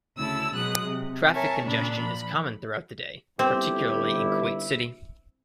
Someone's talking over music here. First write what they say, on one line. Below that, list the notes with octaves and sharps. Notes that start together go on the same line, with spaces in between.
Traffic congestion is common throughout the day, particularly in Kuwait City.
D2 C#3 E4 A5 E6
B2 F#3 G#3 D#6 F#6
C3
A#4 C#5 E5 G#5 A5
A#2 C#3 D4 B5
F3 B5
G1 C4 E4 G4